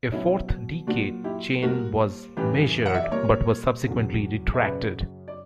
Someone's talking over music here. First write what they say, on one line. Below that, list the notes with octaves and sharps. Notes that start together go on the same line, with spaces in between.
A fourth decay chain was measured but was subsequently retracted.
B2 F#3 C#4 E4
A#2 F#3 D4 F#4
E4 G4
A#2 G3 F#4 A#4
F#2 E3 G3 G4 B4
F#5
E5
D5
A#2 G3 A#4 C#5
E2 C#3 F#3
E5
F#2 C#3 F#3 B4 D5
D5